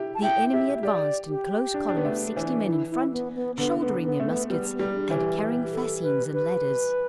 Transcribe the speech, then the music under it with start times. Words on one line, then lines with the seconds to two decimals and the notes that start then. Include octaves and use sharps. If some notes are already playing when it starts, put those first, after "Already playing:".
The enemy advanced in close column of sixty men in front, shouldering their muskets and carrying fascines and ladders.
Already playing: E4 G4
0.15 A5
0.22 E4 G5
0.53 G4 E5
0.83 G4 D5
1.29 G4
1.74 D4
1.89 D4
1.97 B3
2.05 A3
2.36 E3
2.66 E4
2.90 E4
3.12 B3
3.35 B3
3.58 D3 B3
3.81 B3
3.89 D3
4.03 B3
4.20 A3
4.26 B3
4.49 G3 B3
4.73 B3
4.79 G3
4.95 D4
5.10 E3
5.18 G4
5.41 G4
5.72 A4
6.02 B4
6.33 B4